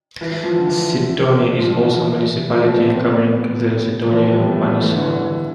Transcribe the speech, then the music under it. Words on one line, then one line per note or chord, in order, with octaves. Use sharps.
Sithonia is also a municipality, covering the Sithonia peninsula.
E3
E3
F3
D3
E3
F3
F3
E3
E3
F3
A3
B3
C4
B3
F3
E3
F3
G3
B3
A3
A3
A3
E3
D3
E3
D3
E3